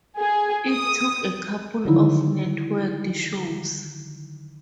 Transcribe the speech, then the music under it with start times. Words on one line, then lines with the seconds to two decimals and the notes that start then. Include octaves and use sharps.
It took a couple of Networked shows.
0.18 G#4
0.70 D#6
1.85 D3 D#3 F3 F#3 D#4 E4